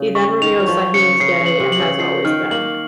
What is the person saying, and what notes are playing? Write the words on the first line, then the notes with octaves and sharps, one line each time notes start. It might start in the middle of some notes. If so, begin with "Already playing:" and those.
He then reveals that he is gay, and has always been.
Already playing: C#3
C#6
D#3 F7
F#3
F3 C#6
C#3 C#7
C#3 C7
C#3
F#7
C3
F#7
C#3
F3 C7
D#3 F6
A#3 F#7